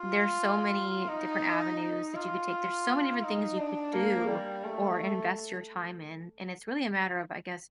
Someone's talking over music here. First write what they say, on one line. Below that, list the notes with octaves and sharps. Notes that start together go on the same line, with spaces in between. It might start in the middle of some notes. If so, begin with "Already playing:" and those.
there's so many different avenues that you could take. There's so many different things you could do or invest your time in, and it's really a matter of, I guess,
Already playing: F4
D#4
D#4
F4
D#4
D4
A#3
G3
A3